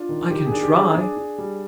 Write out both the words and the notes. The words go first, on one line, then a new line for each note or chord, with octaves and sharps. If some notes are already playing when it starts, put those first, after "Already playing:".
"I can try."
Already playing: D4 F4
D#3
D#3 G4
G#4
D4
G4
D4
G#4
D4 G#4
D4
G3